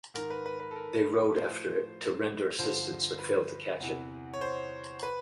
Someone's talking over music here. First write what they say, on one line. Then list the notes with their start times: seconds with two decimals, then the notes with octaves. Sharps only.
They rowed after it to render assistance but failed to catch it.
0.14 G#2 D#3 A#4
0.30 B4
0.46 B4
0.60 B4
0.71 A4
0.76 A#4
1.32 B4
1.36 A2 F3 C5
2.58 G2 D3 F3 C5
3.19 B4
3.80 E2 C3 E3
4.34 C#5
4.41 C5
5.03 B4